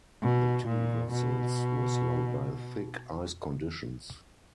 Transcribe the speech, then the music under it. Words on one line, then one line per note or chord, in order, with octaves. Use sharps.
The two vessels were slowed by thick ice conditions.
B2
A#2
B2